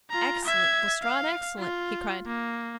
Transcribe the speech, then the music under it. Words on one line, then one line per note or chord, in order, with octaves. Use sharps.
"Excellent, Lestrade, excellent!" he cried.
F4 A#5
E5 G#6
F5
F4
A#3